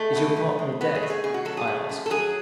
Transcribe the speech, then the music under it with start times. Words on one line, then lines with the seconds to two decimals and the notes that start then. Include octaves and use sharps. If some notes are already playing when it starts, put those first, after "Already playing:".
"Is your partner dead?" I asked.
Already playing: G#3 A3
0.16 B2
0.36 E2
0.59 G#3
0.81 A3 B3
0.95 G#4
1.02 A3
1.10 G#4
1.24 B2 G#4
1.34 F#4
1.45 F#3 A4
1.57 G#4
1.68 A3
1.89 F#2
2.06 A4
2.10 F#3 G#4